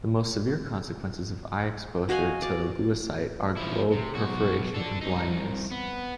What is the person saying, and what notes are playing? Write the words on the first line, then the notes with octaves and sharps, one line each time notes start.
The most severe consequences of eye exposure to lewisite are globe perforation and blindness.
F#4 D#5 F5 G#5
D5
F3 E4
C3
B1 F#4
D4 A4
C2 D#4
B3